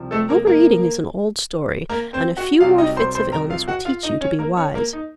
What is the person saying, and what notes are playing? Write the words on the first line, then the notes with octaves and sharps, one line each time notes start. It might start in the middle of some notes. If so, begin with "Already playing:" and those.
Overeating is an old story; and a few more fits of illness will teach you to be wise.
Already playing: C2 C3 F3
A3 A4
A#3 A#4
A#3 A#4
A#3 A#4
C4 C5
F#4 F#5
C2 C3 F#3 F4 F5
D#4 D#5
C5 C6
C5 C6
A#4 A#5
F4 F5
F#4 F#5
F4 F5
D#4 D#5
C#4 C#5
A#3 A#4
C#4 C#5
A#3 A#4
D#4